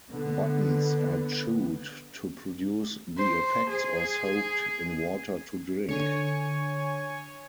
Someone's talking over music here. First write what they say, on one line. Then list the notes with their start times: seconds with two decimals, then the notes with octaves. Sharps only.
Buttons are chewed to produce the effects or soaked in water to drink.
0.12 D3 B3
3.18 C5
3.70 G#4
5.89 D3 C#5 G#5 C#6